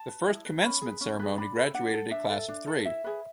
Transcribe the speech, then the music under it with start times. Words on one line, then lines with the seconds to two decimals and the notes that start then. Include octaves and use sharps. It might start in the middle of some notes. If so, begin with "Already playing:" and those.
The first commencement ceremony graduated a class of three.
Already playing: A5
0.08 B4
0.27 E4
0.45 B4
0.63 C#4 B5
0.81 G#4 B4
1.01 C#4
1.19 G#4 B4
1.37 D4 B5
1.56 A4
1.74 D4 F#5
1.94 A4
2.11 D4 E5
2.30 A4
2.48 D4
2.67 A4
2.85 E4 E5
3.04 G#4 B4